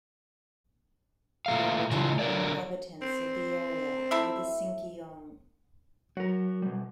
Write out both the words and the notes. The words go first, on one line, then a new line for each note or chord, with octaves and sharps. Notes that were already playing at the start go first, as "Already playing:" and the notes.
The original inhabitants of the area were the Sinkyone.
A#2 A3 F5
C#3 E3 D4 F4
D3 F#3 A#4 D5
C4
A3 E4 E5
F#3 F#4 A#4
B2 G3